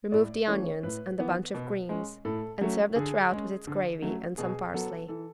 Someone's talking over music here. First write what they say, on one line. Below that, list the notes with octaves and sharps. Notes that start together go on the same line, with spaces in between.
Remove the onions and the bunch of greens and serve the trout with its gravy and some parsley.
A2 D5
E3 A3 C#4 C#5
A2 B4
E3 B3
B2
G#3 C#4
A2 A4
F#3 A3 C#4
D3 G#4
G#3 C#4
D3
F#3 A3 C#4
B2 G#4
F#3 B3 A4
E3 A4